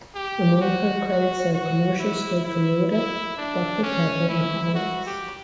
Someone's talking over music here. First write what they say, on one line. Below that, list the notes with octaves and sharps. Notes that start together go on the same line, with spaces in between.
Among her credits are commercials for Toyota, Doctor Pepper, and Always.
G4
F#4
F#4
F#4
E4
E4
E4
D4
C#4
E4
F#4
G4